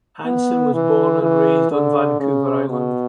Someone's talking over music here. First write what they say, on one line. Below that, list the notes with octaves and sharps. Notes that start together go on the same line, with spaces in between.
Hansen was born and raised on Vancouver Island.
B3
E3
E3
D3
C#3
B2